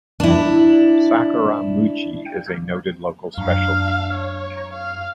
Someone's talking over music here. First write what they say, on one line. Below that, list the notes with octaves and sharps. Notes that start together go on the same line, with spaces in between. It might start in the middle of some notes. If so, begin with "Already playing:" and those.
"Sakuramochi" is a noted local specialty.
D4 E4
F#2 D4 F5
C#5
F5